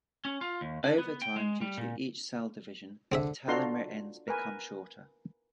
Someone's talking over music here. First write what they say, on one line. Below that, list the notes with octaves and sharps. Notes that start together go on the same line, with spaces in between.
Over time, due to each cell division, the telomere ends become shorter.
C#4
F4
D#2
D4
B3
G5
G#3
G3
A#2
D3 C4 G#4 E5
D4 F4 F#4 A4 A#5 C6
A#4 B4 G#5